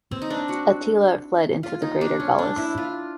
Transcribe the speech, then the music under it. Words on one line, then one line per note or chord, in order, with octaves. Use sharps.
Attila fled into the greater Gauls.
C4
D#4
D4
F#4
F4
D#4
D4
C#4
D4
E4
F4